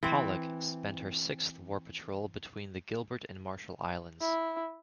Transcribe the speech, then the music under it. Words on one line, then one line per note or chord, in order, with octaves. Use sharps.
"Pollack" spent her sixth war patrol between the Gilbert and Marshall Islands.
E3 C4
E4